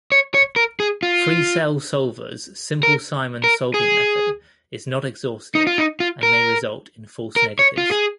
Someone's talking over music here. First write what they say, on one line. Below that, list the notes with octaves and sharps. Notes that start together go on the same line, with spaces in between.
Freecell Solver's Simple Simon-solving method is not exhaustive and may result in false negatives.
C#5
C#5
A#4
G#4
F4
A#4
A#4
G#4
D#4
F4
D#4
F4
A#4
A#4
C#5
F4
G#4